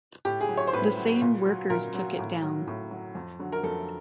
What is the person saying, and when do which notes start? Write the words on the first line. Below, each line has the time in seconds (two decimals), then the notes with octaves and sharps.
The same workers took it down.
0.25 A2 G4
0.41 G#4
0.49 F#3
0.57 C#5
0.67 C5
0.73 A2 B4
0.97 F#3
1.22 A#2
1.46 F#3
1.70 A#2 A#4
1.94 F#3
2.19 A2
2.43 F#3
2.67 A2
2.91 F#3
3.15 F2
3.39 D3 F#3
3.52 A#4
3.63 F2 A4